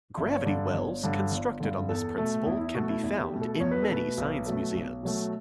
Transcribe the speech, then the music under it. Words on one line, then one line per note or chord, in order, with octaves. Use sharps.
Gravity wells constructed on this principle can be found in many science museums.
G1 E5
D5
C#5
G2 D3 D5
G1 C#5
G2 D3
G1
G2 D3
E2 A4
B2 A3
E2 E4
E4
B2 A3 F#4
E4
E2 E4
G4
B2 A3
A4
E2 C#5
B4
A4
B2 A3 B4
B1
B2 F#3 A3
B1
B2 F#3 A3